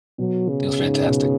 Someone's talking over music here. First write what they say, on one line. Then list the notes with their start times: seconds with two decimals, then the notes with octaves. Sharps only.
It was fantastic.
0.18 B2 F#3
0.49 C#3
0.78 G#2
1.06 B2